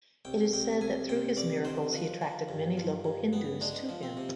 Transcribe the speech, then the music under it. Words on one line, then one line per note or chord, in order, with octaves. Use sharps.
It is said that through his miracles he attracted many local Hindus to him.
C2 G5
C2 G5
C2 G#5
C3 G5
C2 D5
D#3 C5
F3 B4
F3
G2
F3
G2
B3
G#3 D4
F3
C4
C3